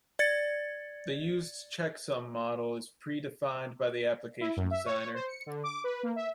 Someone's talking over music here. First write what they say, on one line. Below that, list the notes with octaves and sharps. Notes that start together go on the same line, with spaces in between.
The used checksum model is pre-defined by the application designer.
D5 G#6 A6 C#7
E4
F#2
E5
C#5
C5
C#7
D3
D6
B4
A#3
E5